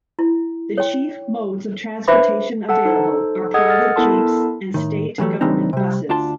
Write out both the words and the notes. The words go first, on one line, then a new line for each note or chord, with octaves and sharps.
The chief modes of transportation available are private jeeps and state government buses.
E4
C#5 G5
D4 B4 C5 E5 B5 D6
A4 F#5 A5
D#4 A4 C5
G#4 A4 D#5 F#5 D#6 G#6
F#5 D#6 F6 A6
B3 E4 A4 A#4 A5 C6
A2 D#3
D3 E3 F#3 G3 A3
C#2 A2 E3 C4 D4 D#4
C3 G3
D2 D4 F4 A5 C6